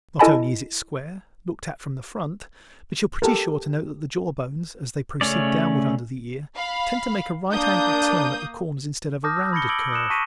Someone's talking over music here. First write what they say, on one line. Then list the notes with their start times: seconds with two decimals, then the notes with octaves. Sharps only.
Not only is it square, looked at from the front, but you are pretty sure to note that the jaw bones, as they proceed downward under the ear, tend to make a right-angled turn at the corners instead of a rounded curve.
0.19 E4 A4 D#5 G#5 A5 B5
3.22 G4 A4 A#4
5.21 C#3 A3 C#4 D5
6.56 F5 B5
7.52 A#3 D4 D#6 G6
9.24 A5 D6 D#6 F6 G6 A#6
9.37 E6
9.53 B5 G#6 A#6 C#7 G7
9.69 D6 E6 G#6 D7 F#7
9.92 D#6 F#6 C#7 E7
10.10 A5 C#6 A#6 B6 D#7